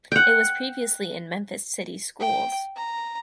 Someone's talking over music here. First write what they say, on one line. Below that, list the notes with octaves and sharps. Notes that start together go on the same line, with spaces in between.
It was previously in Memphis City Schools.
F#5 G5
G5
A#5